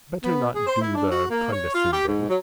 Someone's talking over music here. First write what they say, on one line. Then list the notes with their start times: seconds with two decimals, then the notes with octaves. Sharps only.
Better not do the condescending.
0.22 B3
0.53 G#4
0.67 C5
0.81 E4
0.95 D4
1.11 F#4
1.30 A#3
1.51 C#5
1.74 F4
1.92 G4
2.07 G#2
2.29 F#3